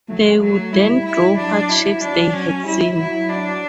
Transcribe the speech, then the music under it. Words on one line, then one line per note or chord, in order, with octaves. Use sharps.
They would then draw what shapes they had seen.
F#3 A3
F#3
G3 E4
E4
F#3 D4
E4
F#3 D4
C#4
G3 E4
F#3 E4
D4